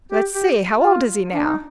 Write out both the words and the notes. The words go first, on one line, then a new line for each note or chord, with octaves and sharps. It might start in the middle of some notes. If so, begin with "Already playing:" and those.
"Let's see--how old is he now?"
G4
G4
F4
D4
D#4